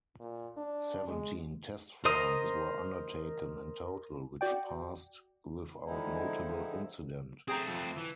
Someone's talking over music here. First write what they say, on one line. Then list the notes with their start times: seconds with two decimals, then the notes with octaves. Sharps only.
Seventeen test flights were undertaken in total, which passed without notable incident.
0.20 A#2
0.57 D4
1.08 G#3
2.05 A#4 C5 D#5 A#5 D#6
4.41 F#4 D5 G5
5.85 D3 D#3 F3 G#3 D#4 E4
7.48 A3 C4 G#4 G5 A#5
7.68 F2
7.98 E3